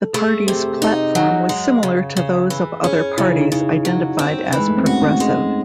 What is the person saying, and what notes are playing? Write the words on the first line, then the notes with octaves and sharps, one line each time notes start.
The party's platform was similar to those of other parties identified as progressive.
A4
A3 G#4
C3
D#4
F#3
G#3
C#3
C#3
E3
C#4 G#4
C#3 E4
D#4
C#3
F#3
C4
E3
G#3
A3
C4
C#4 F#4
G#3